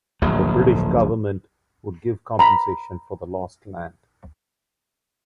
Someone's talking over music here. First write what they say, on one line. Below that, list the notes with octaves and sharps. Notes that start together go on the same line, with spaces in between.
The British government would give compensation for the lost land.
D1 A#1 F#3
A#5 B5